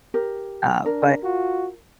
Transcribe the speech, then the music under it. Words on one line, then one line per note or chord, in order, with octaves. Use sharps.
uh, but.
G4 A#4
D4 A#4
F4 F#4